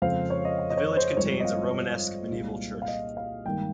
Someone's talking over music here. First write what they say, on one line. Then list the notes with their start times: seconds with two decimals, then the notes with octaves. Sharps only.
The village contains a Romanesque medieval church.
0.02 F2 C#3 G#3 C4 F5
0.30 C#5
0.45 D#5
0.59 F5
0.70 D#5
0.77 C#5
0.93 C#5
0.97 C5
1.16 G#1 G2 F3 G#3 C4 C#5
1.40 D#5
1.45 F5
2.31 C2 A#2 G#3
2.82 F5
2.88 D#5
3.17 F5
3.45 G#1 G2 D#3 A#3 G5